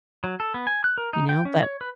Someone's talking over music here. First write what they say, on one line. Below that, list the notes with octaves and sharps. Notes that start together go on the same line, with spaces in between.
You know, but
F#3
A4
B3
G#5
F#6
A#4
D#4
G5
C#4
C#5
B4